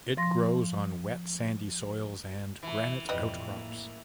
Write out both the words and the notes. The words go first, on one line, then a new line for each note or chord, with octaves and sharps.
It grows on wet sandy soils and granite outcrops.
F3 C6 A#6
E3
F2 G#2 B2 G3 B4 D#5
A2 A#3